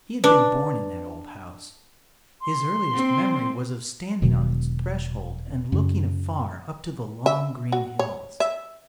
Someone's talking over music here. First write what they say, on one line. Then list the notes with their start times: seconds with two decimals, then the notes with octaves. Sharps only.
He had been born in that old house; his earliest memory was of standing on its threshold and looking afar up to the long green hills.
0.24 D4 B4
2.41 C6
2.94 C4
4.22 E1 B2 D#3 F#3
5.72 F#2 C#3
7.26 E5
7.72 F#4
7.99 C#5
8.40 E5